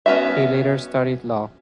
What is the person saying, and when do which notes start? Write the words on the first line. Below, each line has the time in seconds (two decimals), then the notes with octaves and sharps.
He later studied Law.
0.06 B3 C#4 D#4 F#4 E5